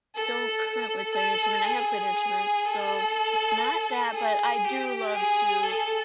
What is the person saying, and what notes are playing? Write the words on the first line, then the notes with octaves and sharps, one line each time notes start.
don't currently play an instrument, I have played instruments, so it's not that, but I do love to,
A4
A4
G#4
A4
G#4
G4
G#4
A4